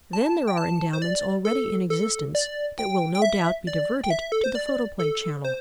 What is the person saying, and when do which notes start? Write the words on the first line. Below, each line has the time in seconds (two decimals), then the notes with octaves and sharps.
Then there are endowments already in existence that will no doubt be diverted to the photoplay channel.
0.13 A5
0.47 G5
0.57 A5
0.93 C5
1.02 D5
1.45 A4
1.90 A4
2.35 D5
2.79 G5
3.15 G5
3.22 E5
3.67 D5
4.03 G5
4.10 E5
4.32 A4
4.44 C5
4.55 D5
5.00 A4
5.44 C5